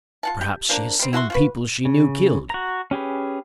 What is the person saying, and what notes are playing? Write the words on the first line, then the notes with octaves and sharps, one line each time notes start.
Perhaps she has seen people she knew killed.
F4 F#5 A5
G4
F3 A#3 D4
G3 C4
E4 F#4 A5 C6
F4 F#4 B4
C#3
F#4 A#5
C#4 G4 G#4 B4